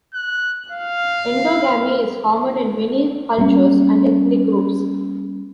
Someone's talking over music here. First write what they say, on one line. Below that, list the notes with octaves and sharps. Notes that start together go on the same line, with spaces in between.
Endogamy is common in many cultures and ethnic groups.
F#6
F5
G3 A#3 B3 C#4